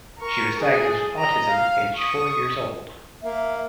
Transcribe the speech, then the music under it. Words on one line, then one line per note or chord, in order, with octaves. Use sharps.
She was diagnosed with autism aged four years old.
A#4 C#6
D4 G#4
D#5 A#5
F5
C#6 D#6
A#3 E5